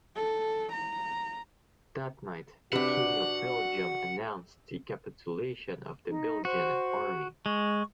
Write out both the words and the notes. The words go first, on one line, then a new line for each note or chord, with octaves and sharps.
That night the King of Belgium announced the capitulation of the Belgian army.
A4
A#5
C3 D4 F#4 B4 F#5
D#4
F#4 C5
G#3 C#6